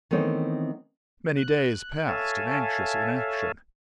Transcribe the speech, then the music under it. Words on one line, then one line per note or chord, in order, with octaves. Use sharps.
Many days passed in anxious inaction.
D#3 E3 A3 B3 C4 C#5
F#6
A4 C#5 E5 F5 G#5 A5